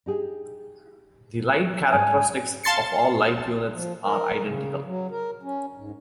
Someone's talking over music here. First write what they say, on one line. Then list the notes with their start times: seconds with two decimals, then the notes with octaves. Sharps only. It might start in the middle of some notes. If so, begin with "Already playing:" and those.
The light characteristics of all light units are identical.
0.06 D#4 G4 G#4
1.57 F#4
1.92 G#2 D5 G#5 A5
2.63 F5 A5 C6 A6 C7 C#7
3.73 F3
4.05 A#4
4.44 C#3
4.85 F#3
5.11 A#4
5.43 C#4
5.77 G#2